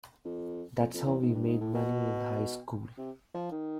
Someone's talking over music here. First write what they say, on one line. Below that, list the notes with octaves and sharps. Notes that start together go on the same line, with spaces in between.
That's how we made money in high school.
F2
F2
F2
E2
G#2
G2
G#2
A2
B2
C3
F3
D#3